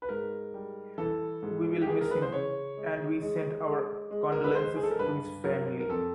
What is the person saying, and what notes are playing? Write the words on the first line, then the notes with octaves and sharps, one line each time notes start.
We will miss him, and we send our condolences to his family.
B4
G#2 A#4
G3
E3 A4
G#2
G4
E3 G#4
A#4
B4
C5
C#3 C#5
G#3
G#3
G#3
G#3
A#4
B4
G#3 C5
G#4
A4
A#4
G2 B4
F#3 A#4
A#4
F2 A4